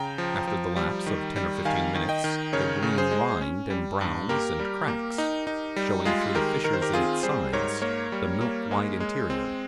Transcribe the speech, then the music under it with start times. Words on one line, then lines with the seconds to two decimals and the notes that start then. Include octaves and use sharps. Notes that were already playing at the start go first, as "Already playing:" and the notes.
After the lapse of ten or fifteen minutes, the green rind embrowns and cracks, showing through the fissures in its sides the milk-white interior.
Already playing: C#3 G5 A#5
0.18 F3
0.47 F3
0.76 G3
1.06 D#3
1.36 G3
1.65 D#3 F5 G#5
1.95 D#3
2.09 D#5 G5
2.24 D#3
2.53 C#3 A#4 C#5
2.82 C#3
2.98 G#4 C5
3.12 G#3
3.41 C#4
3.70 G3
4.01 G2
4.29 A#3 G4 A#4
4.60 G3
4.88 A#3
5.18 D#4
5.47 D#4
5.76 G3
6.05 G#3 F4 G#4
6.35 D#3 G4 A#4
6.64 D#3 A#4
6.73 C5
6.82 G4 A#4
6.94 C4 F4 G#4
7.23 G3 G#4 C5
7.53 G#2 A#4 C#5
7.82 A#3 A#4 C#5
8.12 G3
8.41 A#3
8.71 G#3
9.00 G#3
9.30 C4